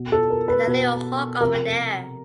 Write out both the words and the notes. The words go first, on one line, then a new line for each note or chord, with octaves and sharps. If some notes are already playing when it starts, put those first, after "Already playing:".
And the little Hog over there.
Already playing: B2
A4
A#4
B4
B2
C3 F3 A#4